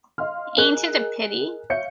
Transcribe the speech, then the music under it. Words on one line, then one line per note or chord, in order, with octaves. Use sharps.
Ain't it a pity?
D#5 F5 C6 F6
G#4 A#4 D#5 F#6
C#5 E5 F5 G6 C#7